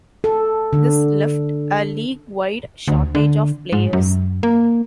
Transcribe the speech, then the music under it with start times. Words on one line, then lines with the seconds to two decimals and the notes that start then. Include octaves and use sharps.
This left a league-wide shortage of players.
0.24 A4
0.73 D3
2.88 D2
3.15 D3
3.72 G#2
3.93 F#2
4.43 A#3